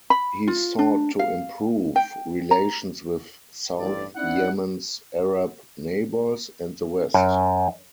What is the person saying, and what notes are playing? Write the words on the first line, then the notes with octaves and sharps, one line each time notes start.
He sought to improve relations with South Yemen's Arab neighbours and the West.
B5
F4
D4
F5
G5
A#5
A1 G2 D5
C4 C#4 D#4 E4 D5 F#5
F#2